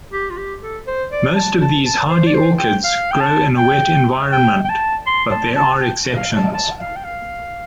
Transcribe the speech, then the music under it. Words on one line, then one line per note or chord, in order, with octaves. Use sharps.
Most of these hardy orchids grow in a wet environment, but there are exceptions.
G4
F4
G4
A4
C5
D5
A5
A5
A5
C5
D5
C5
G5
F5
G5
A5
G5
G5
G5
A5
C6
A5
A5
G5
F5
A5
A5
F5
G5
F5